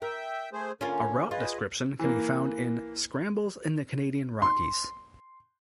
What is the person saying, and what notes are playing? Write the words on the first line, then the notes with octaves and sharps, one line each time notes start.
A route description can be found in "Scrambles in the Canadian Rockies".
A#4 E5 G5
A3 G#4 C5
D3 A#3 C#4 F4 A#4
F4 G#4 B4 D#5
E3 A#3
C6